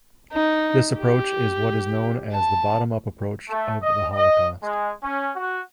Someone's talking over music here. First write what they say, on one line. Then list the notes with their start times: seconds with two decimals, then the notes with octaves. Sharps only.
This approach is what is known as the bottom-up approach of the Holocaust.
0.33 D#4
0.99 G4
2.33 A5
3.49 A3
3.82 D#5
4.12 D#5
4.62 G#3
5.03 C#4
5.36 F#4